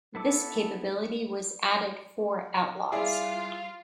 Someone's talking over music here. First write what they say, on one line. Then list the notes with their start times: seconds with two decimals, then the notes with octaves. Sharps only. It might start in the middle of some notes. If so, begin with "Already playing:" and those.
This capability was added for "Outlaws".
0.15 B3 E4 A4 D6
2.92 G3 E4 F4 G#4 D5 F5